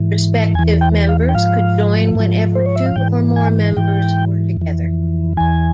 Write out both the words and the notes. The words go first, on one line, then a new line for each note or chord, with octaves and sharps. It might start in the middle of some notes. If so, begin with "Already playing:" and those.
Prospective members could join whenever two or more members were together.
Already playing: G#2 E3
E2 E3 G#5
G5
F5
G5
G#2 F3 F5
G#2 F3
C5
C#5
E5
F5
G#2 E3 G5
G#5
G#2 E3 G5
F2 E3
E2 E3 G#5